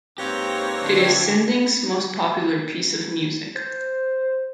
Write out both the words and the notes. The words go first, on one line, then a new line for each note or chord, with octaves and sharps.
It is Sinding's most popular piece of music.
G#2 A#3 C4 G4 B4 C#5 A#6
D3 D4 G#6
C5